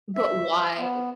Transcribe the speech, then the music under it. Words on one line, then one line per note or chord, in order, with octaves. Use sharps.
But, why?
E5
B3